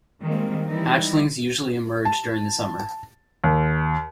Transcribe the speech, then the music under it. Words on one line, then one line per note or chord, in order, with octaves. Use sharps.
Hatchlings usually emerge during the summer.
D#3 G3 G#3 A#3 C4
E3 G3 D#4 E4
A5
D#2